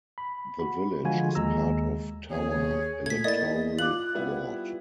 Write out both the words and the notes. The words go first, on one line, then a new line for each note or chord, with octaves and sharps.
The village is part of 'Tower' electoral ward.
B5
F#4 B5
D3 F3 G#3 F4 F#4 G#5
D#2 G#3 A#5 E6
D#2 G#4 C#5
A#2 A3 G#6 B6
A#3 E4 D5 D#5 A6
F4 D6 F#6 F#7
G3 B3 E4